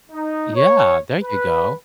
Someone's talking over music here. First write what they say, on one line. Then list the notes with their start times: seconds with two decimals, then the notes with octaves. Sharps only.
Yeah, there you go.
0.11 D#4
0.55 C#5
1.22 B4